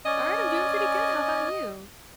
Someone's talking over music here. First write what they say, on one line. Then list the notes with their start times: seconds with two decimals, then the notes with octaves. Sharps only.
Alright, I'm doing pretty good, how 'bout you?
0.06 C#4 D5 D#5 G#5